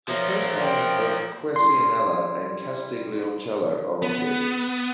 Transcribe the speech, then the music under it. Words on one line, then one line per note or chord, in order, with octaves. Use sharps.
The coastlines of Quercianella and Castiglioncello are rocky.
F3 A#3 C#5 E5
A#4 G5 C6
G3 E4 C6
B3